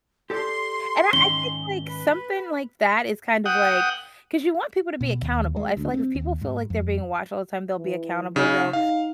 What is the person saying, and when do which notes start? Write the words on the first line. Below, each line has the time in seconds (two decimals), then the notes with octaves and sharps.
and I I think, like, something like that is kind of, like 'cause you want people to be accountable. I feel like if people feel like they're being watched all the time, they'll be accountable, they'll
0.30 G4 A4 D5 C6
1.13 G#2 D#3 C#4 G7
1.85 B4
3.46 F#5 G5 D#6
5.01 B2
5.22 D#2
5.56 G#3
5.77 D2
5.94 C4
6.15 D#2
6.41 G#2
6.70 F2
7.78 E3
8.36 C#3 D#4
8.73 D#4 F5